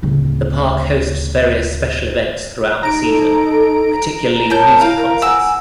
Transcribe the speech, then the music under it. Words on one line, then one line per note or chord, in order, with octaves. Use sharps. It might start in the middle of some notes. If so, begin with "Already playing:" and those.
The park hosts various special events throughout the season, particularly music concerts.
D1 C#3
D#4 A#5 D7
A4
A#4 C#5 A5 G6
E4 F5
F#5 G#5 E6